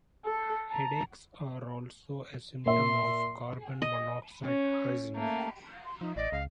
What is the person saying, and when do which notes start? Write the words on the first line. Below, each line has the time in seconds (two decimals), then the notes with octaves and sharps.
Headaches are also a symptom of carbon monoxide poisoning.
0.25 A4
0.70 A5 A#5
2.66 A#2 E5 C6
3.82 D#5
4.45 C#4
5.16 A3 A#3
5.85 C6
6.01 F3 D#4
6.16 A1 D5 D#5
6.32 C#2 F5